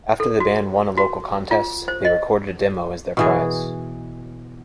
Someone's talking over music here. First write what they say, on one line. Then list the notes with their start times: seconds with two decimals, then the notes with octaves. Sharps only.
After the band won a local contest, they recorded a demo as their prize.
0.20 A4
0.40 F#4
0.97 F#4
1.51 F4
1.88 C5
2.05 D#5
3.17 B2 E3 G#4